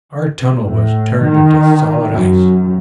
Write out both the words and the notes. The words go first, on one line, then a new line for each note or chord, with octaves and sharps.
Our tunnel was turned into solid ice.
A2
D#3
F#2